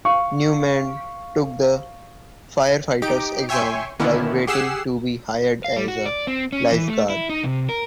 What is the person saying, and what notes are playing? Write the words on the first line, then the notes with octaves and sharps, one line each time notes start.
Newman took the firefighter's exam while waiting to be hired as a lifeguard.
F5 C#6
D#4 G4 D7
C#5 E5 G5 G#5 C6 C#6
D3 D#3 A#3 B3 C#4 E4
G4 G#4 F#5 E6 C7 E7
F5
G3
F#4
D5
C4
C#4
E3
A3
E4
D#4
C3
A#4